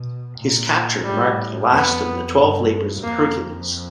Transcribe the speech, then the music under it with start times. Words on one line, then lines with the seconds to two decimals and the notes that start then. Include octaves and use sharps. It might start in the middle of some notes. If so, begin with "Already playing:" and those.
His capture marked the last of the twelve labors of Hercules.
Already playing: B2
0.38 A#2
1.04 A2 G3
1.71 F2 B3
2.38 G2
3.04 F2 A#3